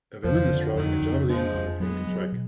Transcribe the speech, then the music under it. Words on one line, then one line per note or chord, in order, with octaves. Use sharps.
A woman is throwing a javelin on a pink track.
F2 F3
D3
F2 D#3 F#3
F2
F3 G#3 D4
F2
F#3 G#3 B3
F#3
B2